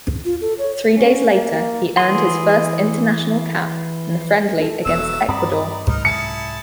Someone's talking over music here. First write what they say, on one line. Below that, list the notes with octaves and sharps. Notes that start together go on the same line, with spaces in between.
Three days later, he earned his first international cap in a friendly against Ecuador.
F4
A4
C#5
C#4
A#3
E3 G#4 C6
E4 A4
E1 F#3 B3 E6
G2 C4 D5 A#5 B5 D#6
C2 G#2 F#3 D#4 A#4
E4 G#4 A5 C#7